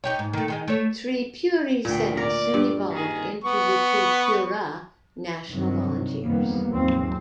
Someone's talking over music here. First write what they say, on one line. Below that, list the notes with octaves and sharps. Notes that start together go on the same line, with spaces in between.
Tripuri Sena soon evolved into the Tripura National Volunteers.
D#4 G4 C#5
G#2
D#3 A3
D#3 G#3 D#4
A3 C#5
D2 A#2 G5
A#4 D5
G2
D#3 G#4
B3 C#6
G2 C3 D#3 F#3
F2 D#3 G3 A#3 B3
D#2 G#2 F3 F#3 C4